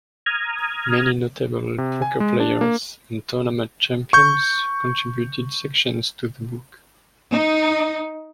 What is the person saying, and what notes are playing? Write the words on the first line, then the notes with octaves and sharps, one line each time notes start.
Many notable poker players and tournament champions contributed sections to the book.
A#5 D#6 F6 G#6
C3
G#5
G#3
D4
A#3
C#6 G6
D#4